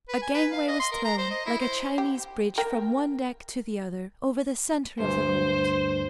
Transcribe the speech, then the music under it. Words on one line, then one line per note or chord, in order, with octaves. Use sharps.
A gangway was thrown, like a Chinese bridge, from one deck to the other, over the centre of the hold.
B4
G#5
B4
F5
D#5
C6
A#4
A#5
C5
D#5
E4
C5
G4
A#4 G5
D2 G2 C5